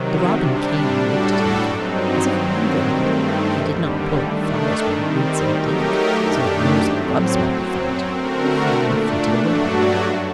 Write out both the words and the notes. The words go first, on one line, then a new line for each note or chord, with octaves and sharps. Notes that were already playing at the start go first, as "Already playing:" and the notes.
The robin came and looked at him again, as if wondering that he did not pull up flowers by the roots and dig, so that worms and grubs might be found, and finally flitted away.
Already playing: C3 D#3 F#3
C3 G3 D4
A2 G3 D4 F#4 A4
G2 F#3 C4 D#4
G2 D#3 F#3 C4
G2 D#3 A3 C4
D#2 D3 G3
D#3 A3 D4
D#3 G3 C4
F#3 A3 D#4 G4 A#4
F#2 D#3 A3 D4 G4
A2 F#3 C4
F#2 F#3 C4
D3 A3 C4 F#4 A#4
A#2 A3 D4
G2 F#3 A3 D4 F#4
F#2